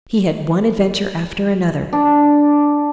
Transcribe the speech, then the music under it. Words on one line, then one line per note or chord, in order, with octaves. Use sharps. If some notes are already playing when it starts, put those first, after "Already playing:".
He had one adventure after another.
D4